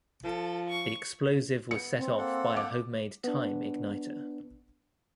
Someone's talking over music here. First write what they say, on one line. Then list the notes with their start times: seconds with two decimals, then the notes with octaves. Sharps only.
The explosive was set off by a homemade time igniter.
0.24 F3 A4
0.70 C#6
1.71 B3 C#7
1.97 C4
2.17 A#3 A4 F#5
2.56 D6
3.24 B3 D4